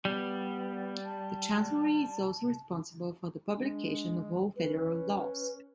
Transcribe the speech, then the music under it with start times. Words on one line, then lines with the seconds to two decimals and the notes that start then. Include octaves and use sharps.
The chancellery is also responsible for the publication of all federal laws.
0.05 G3 B3
1.04 A5
3.56 G#3 D4
4.56 C#4 B4